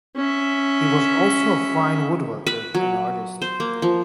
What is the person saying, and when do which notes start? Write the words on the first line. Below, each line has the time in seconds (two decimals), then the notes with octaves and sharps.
He was also a fine woodworker and artist.
0.16 C#4 E5
2.47 B4
2.75 F#3
3.42 C5
3.60 A#3
3.82 F3